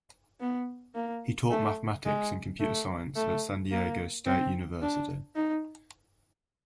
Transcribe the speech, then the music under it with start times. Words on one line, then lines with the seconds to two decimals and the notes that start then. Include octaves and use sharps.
He taught mathematics and computer science at San Diego State University.
0.40 B3
0.95 A#3
1.51 A3
2.06 G#3
2.60 A3
3.16 A3
3.71 A#3
4.26 C4
4.82 D4
5.36 D#4